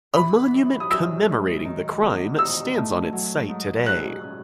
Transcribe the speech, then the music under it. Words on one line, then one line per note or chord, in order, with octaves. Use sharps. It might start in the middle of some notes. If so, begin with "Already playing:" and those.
A monument commemorating the crime stands on its site today.
E3 B5
F#2
D#6
F#2 E6
G#3
D#3
E2
D#4 E6
A3
F#3
G#2
G#4 F#6
C#4